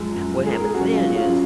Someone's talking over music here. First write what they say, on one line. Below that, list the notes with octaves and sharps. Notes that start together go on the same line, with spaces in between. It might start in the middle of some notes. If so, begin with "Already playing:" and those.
What happens then is-
Already playing: F#2 F3 G#3
F#2
F3 G#3
G#4
G#2 A#4
G#4
C#4 F#4
F#3
F#4
G#2 F4
F#3 C#4 F4